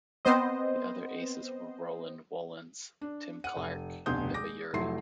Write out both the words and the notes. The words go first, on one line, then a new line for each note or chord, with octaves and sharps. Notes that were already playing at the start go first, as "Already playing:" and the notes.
The other "Aces" were Roland Wollens, Tim Clark and Pippa Urry.
B3 C4 C5 D#5
D4
F#5 D#7
F1
F1 D2 B2 C6 D#6 G6
G#3 D6 A#6
F1 F#3 A3 E4 C6 C7